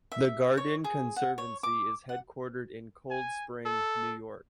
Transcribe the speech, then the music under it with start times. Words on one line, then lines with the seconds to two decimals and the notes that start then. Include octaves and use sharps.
The Garden Conservancy is headquartered in Cold Spring, New York.
0.12 E5
0.57 C#5
0.84 G#4
1.16 F#5
1.38 C#5
1.63 D6
2.09 F#5
3.10 G#5
3.65 A4